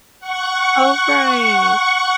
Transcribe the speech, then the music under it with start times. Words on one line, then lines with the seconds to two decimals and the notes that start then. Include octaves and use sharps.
Oh, right.
0.20 F#5 C#6